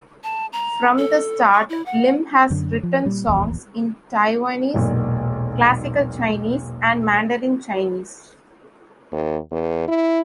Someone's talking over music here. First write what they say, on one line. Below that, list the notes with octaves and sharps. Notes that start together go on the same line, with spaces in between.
From the start, Lim has written songs in Taiwanese, Classical Chinese, and Mandarin Chinese.
A5
A#5
A4
C#6
E4
F#5
F#2 D3
F3
A#2 G3
D1 A#1 E2
E1 B1 A#2
D#2
E2
E4